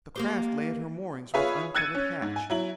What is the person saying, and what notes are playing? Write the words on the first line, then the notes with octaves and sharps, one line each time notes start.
The craft lay at her moorings with uncovered hatch.
A#3 G4 C5
F4 G#4 B4 C#5 E5
E6 F#6 G#6 A6 C#7 D#7
C#4
G#2
G#5
F#3 E4 F#7